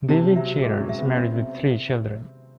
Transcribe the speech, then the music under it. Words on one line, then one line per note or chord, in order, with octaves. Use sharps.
David Chaytor is married with three children.
C3 A5
F#3 E5
G#3 G#4
C#4
E5
B3
C4 E5